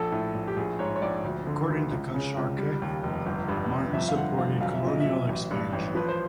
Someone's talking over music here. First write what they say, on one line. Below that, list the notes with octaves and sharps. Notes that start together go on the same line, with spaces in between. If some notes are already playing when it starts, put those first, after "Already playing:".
According to Koschorke, Martin supported colonial expansion.
Already playing: A#1 A4
A2
A#1
G4
A#1 G#4
G#2 C#5
C#5
A#1 D5
D2
D3
D2
C#2
C#3
C#2
G3
D#2
F1
G1
G2
G1
F2 E5
F5
D3 F#5
F2 F5
B1 F5
E5
A#2 D#5
B1 E5
A1
G2
A1
F3 B4
C5